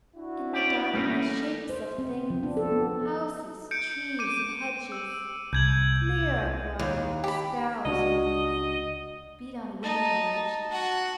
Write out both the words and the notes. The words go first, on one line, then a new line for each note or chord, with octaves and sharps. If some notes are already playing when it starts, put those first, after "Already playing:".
In the darkness shapes of things, Houses, trees and hedges, Clearer grow; and sparrow's wings Beat on window ledges.
D4 E4 F#4
G4 D5
E3 G3 A3 A#3 C#4 D#4
C5
C4
F3
D4
A4
B3
G6 C#7 D7
D6 G6 D#7
E6
C2 G6 G#6 F#7
D#2
G4 B5
C#2 D4 F#4 D#5
D#4 A5
F#4 F#5